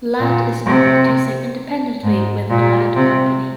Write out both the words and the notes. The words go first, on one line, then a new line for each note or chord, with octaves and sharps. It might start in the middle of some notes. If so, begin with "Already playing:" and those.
Ladd is now producing independently with The Ladd Company.
A#2
C3
G#2
A#2
C3